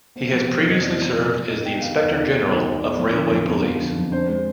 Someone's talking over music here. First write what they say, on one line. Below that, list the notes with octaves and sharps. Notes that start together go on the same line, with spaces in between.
He has previously served as the Inspector General of Railway Police.
B3 C5
F3
C3 C5
F2
D#5
B3 D5
F3
C3
F2
F4 D#5
B3 G5
D#3 F5
D#2 D#5
F4 D5
B3
D#3
D#2
B3 D5
F3
D3
F2
B3
F3
D3
F2
D4 C5
G#3